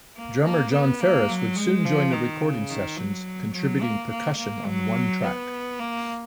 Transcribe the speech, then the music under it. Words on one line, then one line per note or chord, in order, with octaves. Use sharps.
Drummer Jon Farriss would soon join the recording sessions, contributing percussion on one track.
A#3
A#3
B3
A#3
F#3
G#3
F3
D#3
C#3
D#3
F#3
F#3
A#3
A#3
A#3
F#3
B3
A#3